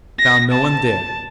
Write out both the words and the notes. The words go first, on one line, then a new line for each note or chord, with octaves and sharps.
I found no one there.
A#6
A5